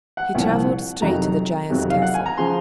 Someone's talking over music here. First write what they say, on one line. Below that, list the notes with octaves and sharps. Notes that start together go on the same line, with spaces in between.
He traveled straight to the giant's castle.
F#5
C2 A#2 F3
F2 C3 D#3 F#3 A#5
F2 C3 D#3 F#3
F5
F#5
G#5
A#5
C#3 F3 C6